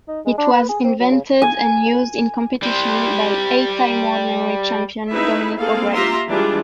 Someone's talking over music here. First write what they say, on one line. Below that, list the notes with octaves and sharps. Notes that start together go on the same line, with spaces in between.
It was invented and used in competition by eight-time World Memory Champion Dominic O'Brien.
D#4
G#3
D4
B4
G#4
C4
F#3
C#3
G#5
G3 C5
C4 D#4 E4 G#4 B4 E5
A#3 C4 G#4 A4 F5
F4 G4 E5 A#5 C6
E3 G3 G#3 D4 F4 G#4